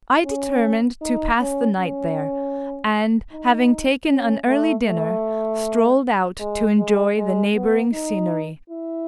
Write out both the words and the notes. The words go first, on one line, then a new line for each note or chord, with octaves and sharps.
I determined to pass the night there, and, having taken an early dinner, strolled out to enjoy the neighboring scenery.
C#4
D#4
C#4
C#4
D#4
C#4
A3
A3
G#3
G#3
G#3
B3
D#4
E4